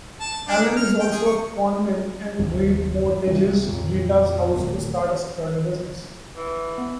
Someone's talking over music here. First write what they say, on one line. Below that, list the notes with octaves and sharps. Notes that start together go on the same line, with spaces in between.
Alan is also a conman and re-mortgages Rita's house to start a security business.
A5
D4
D#4
F6
G5
G#4
C#6
F#1 D#2 C3
C2
F2 A#2 C#3
D1 A#3
E3
B3